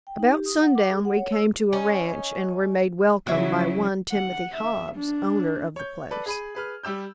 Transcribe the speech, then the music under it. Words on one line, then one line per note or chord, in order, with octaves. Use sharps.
About sundown we came to a ranch and were made welcome by one Timothy Hobbs, owner of the place.
G5
D#4
G4
D#6
F#5
D6
G#4
F#5
C#5
E6
C#4 D#4
C#3 F#3 E4 F#4 C#5 E5
F#5
E5
D4
C#5 G6
A4 B4 D5
G#4 B5 D#7
G#4 B4 F6
G3 G4 E6 G6